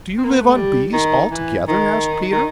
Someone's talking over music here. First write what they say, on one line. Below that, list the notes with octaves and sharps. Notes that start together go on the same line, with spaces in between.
"Do you live on bees altogether?" asked Peter.
C4
A#3
B3
A3
G3
D#3
E3
D#3
D#3